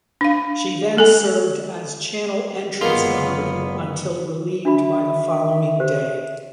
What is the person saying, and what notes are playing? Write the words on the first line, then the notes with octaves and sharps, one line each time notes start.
She then served as channel entrance guard until relieved by the following day.
D4 F5
G#3 A4 G#5
F#1 G#3 A#3 B3 F4
D4 F#4 E5 B5
G4 C5